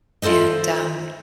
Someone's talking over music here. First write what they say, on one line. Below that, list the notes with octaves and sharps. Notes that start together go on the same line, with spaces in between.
and, um,
E4 F4 A4 C5 D#5